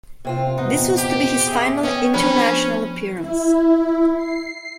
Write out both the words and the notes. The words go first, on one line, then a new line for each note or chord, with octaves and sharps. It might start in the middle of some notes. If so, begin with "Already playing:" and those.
This was to be his final international appearance.
C3 C4 F4
E2 A#2 B3 D#4 D#5 F#5
G4
G#4 E5
B3 C#4 C#5 D#5 G5
F3 B3 C#4 D4 G#4 B4 C5 A#5
E4
C7